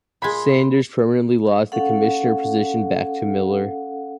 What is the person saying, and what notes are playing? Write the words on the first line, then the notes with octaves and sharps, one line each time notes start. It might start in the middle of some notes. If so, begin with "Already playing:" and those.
Sanders permanently lost the Commissioner position back to Miller.
A#2 G#3 B5 C6 G#6
C#4 A4 F5 F#5